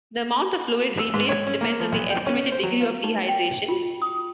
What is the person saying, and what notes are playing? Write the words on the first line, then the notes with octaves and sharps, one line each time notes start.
The amount of fluid replaced depends on the estimated degree of dehydration.
E6
G#2
C#5
C#4
A#3
F3
B1
G5
C#4
C5
F#3
F4
D#4
G5
F4
D#6